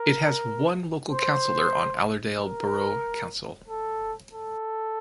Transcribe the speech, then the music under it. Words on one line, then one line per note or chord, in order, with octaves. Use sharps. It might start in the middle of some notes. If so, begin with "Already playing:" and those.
It has one local councillor on Allerdale Borough Council.
Already playing: A#4
C5
A#4
A4
A4